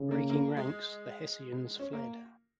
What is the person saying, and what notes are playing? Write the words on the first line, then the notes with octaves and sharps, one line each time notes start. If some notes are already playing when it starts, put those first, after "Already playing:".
Breaking ranks, the Hessians fled.
Already playing: C#3
A#3
A#3
G#3
C#4
A#3